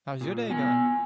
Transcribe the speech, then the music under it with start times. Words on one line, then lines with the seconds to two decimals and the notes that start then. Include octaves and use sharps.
How's your day going?
0.21 A#2
0.50 B3 G#5